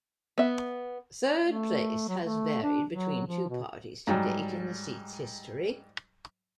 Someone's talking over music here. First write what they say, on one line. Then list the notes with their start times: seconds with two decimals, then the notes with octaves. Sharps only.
Third place has varied between two parties to date in the seat's history.
0.38 B3 E5
1.46 A3
2.08 F#3
2.24 A3
2.63 D4
2.89 F#3
3.27 F3
3.49 B2
4.07 G#2 F#3 G3